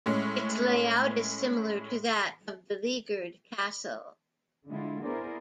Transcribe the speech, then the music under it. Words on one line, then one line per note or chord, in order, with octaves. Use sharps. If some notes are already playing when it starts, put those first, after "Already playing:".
Its layout is similar to that of Beleaguered Castle.
A2 G#3 C#4
D3 G#3 E4 F4
B3 E4 G#4 A#4 C5 D5